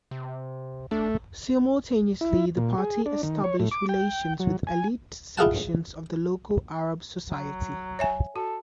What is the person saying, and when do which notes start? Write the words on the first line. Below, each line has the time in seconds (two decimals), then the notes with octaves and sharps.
Simultaneously the party establish relations with elite sections of the local Arab society.
0.11 C3
0.91 A3 D4
2.21 E4
2.57 A#2
2.78 G#4
3.06 D4
3.23 D#3
3.44 C#5
3.60 A2
3.72 D6
3.89 G5
4.39 F#3
4.67 G#5
5.37 E4 F4 G#4 F5 F#5 A5
7.29 F#3
7.99 C#5 E5 G#5
8.36 F#4 A4